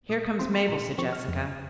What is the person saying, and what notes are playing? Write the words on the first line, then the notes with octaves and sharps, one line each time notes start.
"Here comes Mabel," said Jessica.
A#2 D#6
D#6
F3 C4 C6
C6
A#2 A#5
F3 C4 C#6
F6
F2